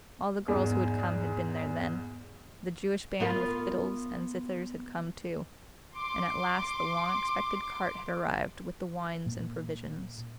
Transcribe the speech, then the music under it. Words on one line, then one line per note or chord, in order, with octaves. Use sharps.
All the girls who had come had been there then; the Jewish band with fiddles and zithers had come, too, and at last the long expected cart had arrived with the wines and provisions.
E2 G#2
B3 F4 A#4
C6 D6
A#2